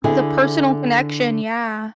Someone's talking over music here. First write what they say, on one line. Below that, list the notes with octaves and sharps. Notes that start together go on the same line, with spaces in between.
Oh, the personal connection, yeah.
D3 E4 G#4